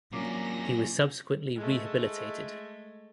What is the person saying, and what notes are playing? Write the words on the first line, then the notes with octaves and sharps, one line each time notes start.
He was subsequently rehabilitated.
C3 F#3 A#3 C#4 D4 F4 D6 A#6
G#3 A3